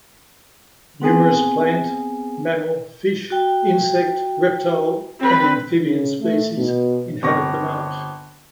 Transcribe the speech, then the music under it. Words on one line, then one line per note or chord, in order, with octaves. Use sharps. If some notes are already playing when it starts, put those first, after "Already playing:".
Numerous plant, mammal, fish, insect, reptile and amphibian species inhabit the marsh.
B3 C4 G#4 G#5
F#4 G5
C4 B4
C#3
A3
B2
G1 C4 C#6 A#6